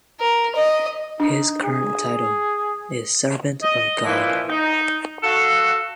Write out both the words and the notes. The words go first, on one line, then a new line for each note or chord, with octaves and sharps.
His current title is Servant of God.
A#4
D#5
D4 D#4
G#4
D#5
A#2 E3 F3
D#4
F#4 A4 F5